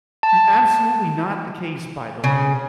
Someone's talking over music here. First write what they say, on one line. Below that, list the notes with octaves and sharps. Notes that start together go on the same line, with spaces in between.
absolutely not the case, by the way,
A5
C#3